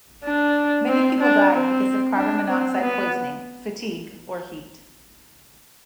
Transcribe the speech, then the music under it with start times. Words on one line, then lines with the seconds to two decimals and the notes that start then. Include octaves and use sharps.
Many people died because of carbon monoxide poisoning, fatigue or heat.
0.24 D4
0.88 C4
1.21 D4
1.52 C4
2.17 D4
2.49 C4
2.81 B3